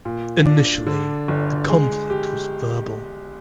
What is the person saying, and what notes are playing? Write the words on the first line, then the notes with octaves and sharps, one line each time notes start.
Initially the conflict was verbal.
A#2
D4
D3
G1
G#3
G4